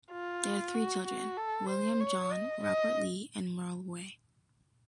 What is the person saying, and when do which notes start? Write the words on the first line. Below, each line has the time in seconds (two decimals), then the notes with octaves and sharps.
They had three children, William John, Robert Lee, and Merle Ray.
0.11 F4
0.75 F#4
1.06 F#4
1.37 A4
1.69 C5
2.01 C#5
2.32 D#5
2.63 D#5